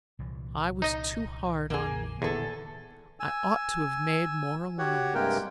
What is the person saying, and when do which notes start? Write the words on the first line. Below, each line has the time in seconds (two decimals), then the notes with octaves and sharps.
I was too hard on you--I ought to have made more allowance.
0.19 C2 A#2 E3
0.82 D#4 D#5
1.70 A#1 F2 A#3 G#4
2.22 E2 A#2 D3 E3 G#4 A4
3.20 G#5 E6
4.78 F#4 G4 C#5 F#5
5.14 G2 C3 G#3 A#3 A#4 G5